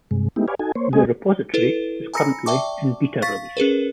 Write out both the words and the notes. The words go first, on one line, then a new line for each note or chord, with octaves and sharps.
The repository is currently in beta release.
G2 C3 G#3
G#3 A3 B3 D#4 E4 G4
G4 B4 C#5 D5 F5 G#5
D#4 F#4 A4 G#5
A#3 C5 C#5
G#3 A#3 C4 G#4 D#5 G#5
E4 A4 B4
G#5 A#5 B5 E6 A#6 C#7
D5 E5 G5 A5 C#6 D6
F5 C#6 A6 B6
C#4 G#4 A#4 B4